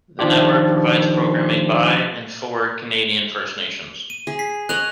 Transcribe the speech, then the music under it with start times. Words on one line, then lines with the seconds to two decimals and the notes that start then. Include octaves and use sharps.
The network provides programming by and for Canadian First Nations.
0.19 D#3 F3 D4 F4 G4
4.10 D#7
4.27 G#4
4.39 B6 C7
4.69 C#5 D#5 F#6 F7 F#7